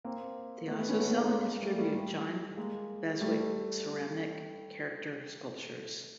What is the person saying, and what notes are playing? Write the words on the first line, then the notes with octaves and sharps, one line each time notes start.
They also sell and distribute John Beswick ceramic character sculptures.
A#3 C4
A3 B3
A3 B3
B3 C#4
A3 B3
A3 B3
G#3 A#3
G3 A3
G3 A3
G3 A3
G#3 A#3
G3 A3